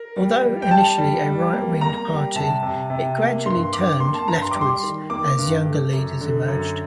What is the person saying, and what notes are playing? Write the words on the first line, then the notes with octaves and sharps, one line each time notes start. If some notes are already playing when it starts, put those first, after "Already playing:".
Although initially a right wing-party, it gradually turned leftwards as younger leaders emerged.
Already playing: A#4
G3
G3
G5
G3 A5
G3
G3
A#3
A#3 A#5
G3
C3 A5
C3
C3
A#3
G2 C6
G2 D6
A#3 C6
A5
G2 A#5
C6
G3 D6
C6
D#3
A#3 D6
G2
A3
F#2
D3
F#2